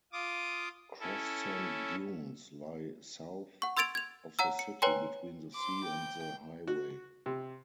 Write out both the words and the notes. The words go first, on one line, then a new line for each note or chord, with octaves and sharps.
Crescent dunes lie south of the city, between the sea and the highway.
F4 D6 D#6
C#4 E4 A4
F#5 C#6
C6 E6 G#6 A6 D7 F7
G#6 F7
C#5 F#5 A#5 E6
C#7
B4 C#5 G5 G#5 A#5 C6
C6 D6
G5
F#4
C3